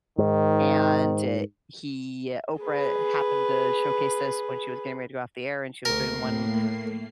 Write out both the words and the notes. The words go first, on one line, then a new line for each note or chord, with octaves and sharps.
and, uh, he, uh Oprah happened to showcase this when she was getting ready to go off the air and she was doing one
G#2 D#3
G#4 B4
D2 C#3 A3 A#3 A#4 C7
A2